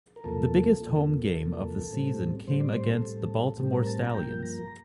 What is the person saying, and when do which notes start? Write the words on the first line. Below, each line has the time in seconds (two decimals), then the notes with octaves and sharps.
The biggest home game of the season came against the Baltimore Stallions.
0.16 A#4
0.24 E2 C3 F3 A#3 A4
0.80 E2 C3 F3 A#3
1.36 E2 C3 F3 A#3
1.91 A2 G3 C4
2.47 A2 G3 C4 C5
2.60 D5
2.74 C5
2.89 A4
3.02 A2 G3 C4
3.58 A2 G3 C4 G4
3.73 A#4
3.87 A5
4.00 A#5
4.14 G2 F3 A#3 G5
4.43 A#5